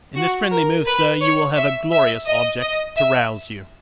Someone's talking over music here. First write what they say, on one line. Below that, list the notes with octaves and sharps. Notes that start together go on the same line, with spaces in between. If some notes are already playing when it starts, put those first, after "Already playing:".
In this friendly move, sir, you will have a glorious object to rouse you.'
F#4
A#4
B4
C#5
E5
E5
D#5
D#5
E5